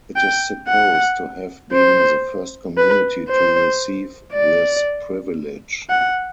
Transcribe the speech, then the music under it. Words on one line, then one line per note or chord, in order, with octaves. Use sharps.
It is supposed to have been the first community to receive this privilege.
G5
F#5
C5
B4
C5
D5
F#5